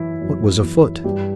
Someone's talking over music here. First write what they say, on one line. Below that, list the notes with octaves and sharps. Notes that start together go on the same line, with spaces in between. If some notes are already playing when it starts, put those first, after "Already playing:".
What was afoot?
Already playing: F#2 E3 E4
F#2
E3
G2 G4